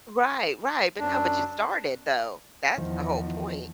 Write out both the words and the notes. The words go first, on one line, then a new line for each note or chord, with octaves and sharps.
Right. Right. But no. But you started, though. That's the whole point.
F#2 D4
E2 D#3 F3